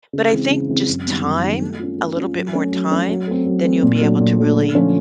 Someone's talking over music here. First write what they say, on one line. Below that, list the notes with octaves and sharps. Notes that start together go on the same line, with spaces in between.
But I think just time, a little bit more time, then you'll be able to really
C#3
E3 G#3 C4
C#3
E3 G#3 C4
F#2
D#3 G3 B3
F#2
D#3 G3 B3
A3
C#4 F4
A3
C#4 F4
F#3
A3 C#4
F#3
A3 C#4
F#3
A3 C4
F#3
A3 C4
A#2
F#3 A3 D4
A#2
F#3 A3 D4
D3
F3 A3 C#4 F4